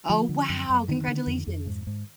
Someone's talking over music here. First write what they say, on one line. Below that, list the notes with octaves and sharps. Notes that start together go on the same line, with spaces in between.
Oh, wow! Congratulations.
D3 F3
D3
F#2
F#2
D3 D#3
D3
F2
F2
G#2
G#2